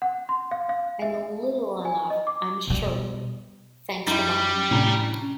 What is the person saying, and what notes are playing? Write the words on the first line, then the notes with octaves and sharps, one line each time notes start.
I know little enough, I am sure, thanks to Ma!
F#5
C6
F5
F5
E5
G#5
D#5
D6
B2 G3
F#2 G3 D#4 E4
A2 C3 C#4 D4 E4 A#5